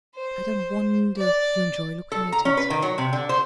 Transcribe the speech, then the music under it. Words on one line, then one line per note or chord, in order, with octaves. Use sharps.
I don't wonder you enjoy looking at it.
C5
D5
A4
A#5
C#4
B4
D#3
F#3
C3
D3
C5